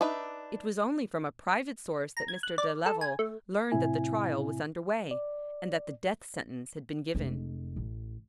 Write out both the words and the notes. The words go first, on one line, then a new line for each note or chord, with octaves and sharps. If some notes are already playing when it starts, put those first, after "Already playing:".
It was only from a private source that Mr. de Leval learned that the trial was under way, and that the death sentence had been given.
D4 D#4 B4 E5
A#5
G#6
F#6
D5
A4
G#5
A3
A2 C3 C4 E4 G#5
D5
F1 G#3
A1